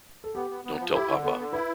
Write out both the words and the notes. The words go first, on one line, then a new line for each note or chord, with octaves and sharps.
Don’t tell papa.
A4
B3 G4
B3
B3
F3
A4
E4 G4
D3
B3 A4
D3
E4 B4